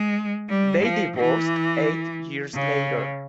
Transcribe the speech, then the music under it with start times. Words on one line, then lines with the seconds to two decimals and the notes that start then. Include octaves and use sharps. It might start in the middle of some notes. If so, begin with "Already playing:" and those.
They divorced eight years later.
Already playing: G#3
0.49 G3
0.83 F3
1.17 E3
2.54 C#3